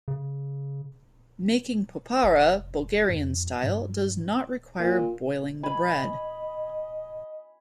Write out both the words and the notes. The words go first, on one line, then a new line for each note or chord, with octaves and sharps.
Making "popara" Bulgarian style does not require boiling the bread.
C#3
F1
F2
G2
A#2
D#5 G#5 B5